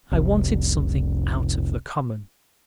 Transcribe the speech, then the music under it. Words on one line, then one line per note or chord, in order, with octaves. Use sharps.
I wanted something out of the common.
F1 C2